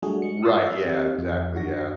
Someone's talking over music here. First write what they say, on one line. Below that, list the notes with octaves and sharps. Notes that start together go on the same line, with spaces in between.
Right, yeah, exactly, yeah.
F#3 G3 A3 D4 F#4 G#4
G#3 C#7
D#6 E6 F#6 A6 B6 C7
C4 G4
F2
F#2 D4 F#4 F#5 A#6